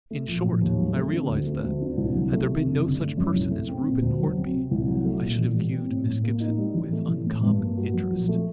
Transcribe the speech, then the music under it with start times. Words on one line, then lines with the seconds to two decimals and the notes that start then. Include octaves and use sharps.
In short, I realised that, had there been no such person as Reuben Hornby, I should have viewed Miss Gibson with uncommon interest.
0.11 A3
0.28 A#1
0.44 A2
0.61 D#2
0.78 F#3
0.96 A3
1.13 D3
1.29 D2
1.46 A3
1.64 D2
1.81 D3
1.97 C2
2.15 F#3
2.32 A3
2.49 C3
2.66 F#1
2.84 D3
3.00 A3
3.17 F#2
3.34 C2
3.51 A3
3.69 C4
3.86 A#2
4.02 D2
4.19 F#3
4.37 C4
4.54 C3
4.71 C2
4.88 F#3
5.05 A3
5.21 A#2
5.39 A1
5.55 G3
5.73 C4
5.90 A2
6.07 A2
6.24 A#3
6.40 D#4
6.58 G3
6.75 A1
6.92 A3
7.08 A1
7.26 A2
7.43 G2
7.61 A#3
7.77 F#4
7.94 F#3
8.11 A#1
8.29 A3